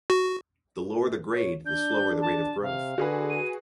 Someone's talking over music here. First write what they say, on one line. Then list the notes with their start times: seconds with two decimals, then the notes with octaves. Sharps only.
The lower the grade the slower the rate of growth.
0.10 F#4
1.35 C#5
1.66 D4 G6
2.22 A5
2.62 C3 F5
2.98 D3 F#4 G#4 B4
3.30 D#7